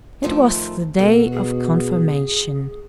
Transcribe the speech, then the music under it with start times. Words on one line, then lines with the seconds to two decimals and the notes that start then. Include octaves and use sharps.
It was the day of confirmation.
0.23 D#3 F3 A3
0.99 B2 F#4 A4
1.32 G#4